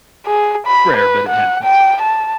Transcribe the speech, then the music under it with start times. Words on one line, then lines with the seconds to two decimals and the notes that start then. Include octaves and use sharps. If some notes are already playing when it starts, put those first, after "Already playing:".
Rare, but it happens.
0.26 G#4
0.67 B5
0.97 B4
1.29 F#5
1.64 G5
2.02 A5